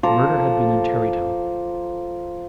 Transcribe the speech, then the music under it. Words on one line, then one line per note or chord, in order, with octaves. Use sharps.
The murder had been in Tarrytown.
F3 A4 A#5 D6